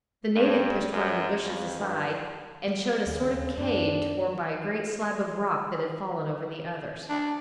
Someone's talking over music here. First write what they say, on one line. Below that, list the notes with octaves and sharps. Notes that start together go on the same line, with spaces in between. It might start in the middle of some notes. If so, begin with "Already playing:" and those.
The native pushed one of the bushes aside, and showed a sort of cave formed by a great slab of rock that had fallen over the others.
G2
F#2
F2
G2
G3
D#2 C#3
F#2 D4
D4